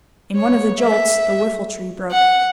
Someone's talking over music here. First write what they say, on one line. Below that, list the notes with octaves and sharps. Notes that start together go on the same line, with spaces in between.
In one of the jolts, the whiffle-tree broke.
C#5
E5
F#5